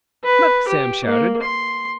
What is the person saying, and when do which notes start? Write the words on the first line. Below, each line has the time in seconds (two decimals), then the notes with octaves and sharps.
"Look!" Sam shouted.
0.24 B4
0.68 G4
1.05 A#3
1.42 C6